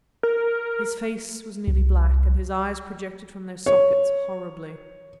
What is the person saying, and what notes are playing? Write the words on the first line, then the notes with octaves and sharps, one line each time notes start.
His face was nearly black, and his eyes projected from their sockets horribly.
A#4
C2
C#5